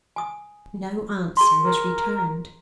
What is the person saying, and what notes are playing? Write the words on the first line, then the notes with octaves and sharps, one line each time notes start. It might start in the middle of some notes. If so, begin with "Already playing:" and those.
No answer was returned.
G#5 D#6
G#4 A#5 C6
A#4